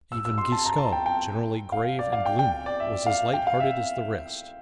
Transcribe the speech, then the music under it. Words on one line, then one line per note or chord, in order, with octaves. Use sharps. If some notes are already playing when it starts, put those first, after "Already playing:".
Even Giscon, generally grave and gloomy, was as light hearted as the rest.
E6
E6
C6
A5
A#5
A5
G5
G5
F5
D5
F5
G5
G5
D5
E5
F5
G5
F5
E5